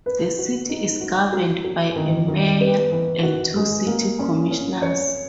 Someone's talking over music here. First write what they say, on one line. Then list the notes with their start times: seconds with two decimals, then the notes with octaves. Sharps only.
The city is governed by a mayor and two city commissioners.
0.06 B4
0.38 F#4
0.69 D#4
1.01 F#4
1.32 F#3
1.64 F#3
1.96 D#3
2.28 D#3
2.61 B3
2.92 E3
3.23 F#4
3.56 G#3
3.87 A#3
4.20 C#4
4.51 C#4
4.82 C#5